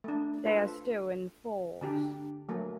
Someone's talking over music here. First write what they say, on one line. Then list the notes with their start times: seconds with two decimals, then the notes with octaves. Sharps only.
They are still in force.
0.04 A3 D4
0.46 F4 A4 B4
1.81 D3 D4 G4
2.49 F#3 A3 A#3